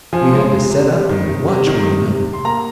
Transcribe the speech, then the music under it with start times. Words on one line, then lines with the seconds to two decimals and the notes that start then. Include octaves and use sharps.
We had to set up and watch one another.
0.13 F3 G#5
0.32 G#3
0.51 C3
0.70 C3
0.90 G3
1.10 D#3
1.29 C3
1.48 C3
1.67 D#3
1.86 C3
2.06 C3
2.25 C3
2.33 C6
2.45 A#3 A#5